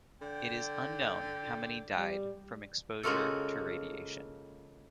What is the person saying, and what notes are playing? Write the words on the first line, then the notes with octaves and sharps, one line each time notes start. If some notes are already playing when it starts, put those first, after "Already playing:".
It is unknown how many died from exposure to radiation.
D3 G5
G3
C#3 G#3 A#3 F4 F#4 A4